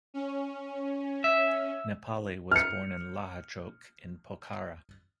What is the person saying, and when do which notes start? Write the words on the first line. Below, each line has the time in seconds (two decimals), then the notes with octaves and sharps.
Nepali was born in Lahachowk in Pokhara.
0.14 C#4
1.24 E5
2.51 F6 C#7